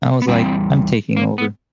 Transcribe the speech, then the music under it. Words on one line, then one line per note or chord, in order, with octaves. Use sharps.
I was like, 'I'm taking over.
B3
E2 B2 G3 C4
A#3
B3